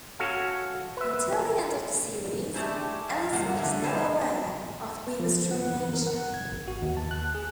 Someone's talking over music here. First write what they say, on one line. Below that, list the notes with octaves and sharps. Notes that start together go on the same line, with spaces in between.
Until the end of the series, Ellison is never aware of Weaver's true nature.
C#4 F#4 A4 F5 G#5
B4 E5
G#3 A3 D4 E4 G4 G#4
G#2 F3 F5
C3 A3 A#3 F#5
D3 A3 C#4
F3 G#3 A3 E4 B4
F3
F#5
E3
A#4
F#5
G#6
G#1
F#4
D#2
A5
F#6
G#4